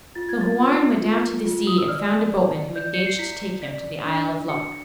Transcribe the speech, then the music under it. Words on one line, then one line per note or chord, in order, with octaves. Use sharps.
So Houarn went down to the sea, and found a boatman who engaged to take him to the isle of Lok.
F4 A6
G#6
A6
F4
F4
F4
D#6
E6
D5 F6
D5
D5 G6
C#7
C7
E4 B6
D5 B6
D4
F#4 C#7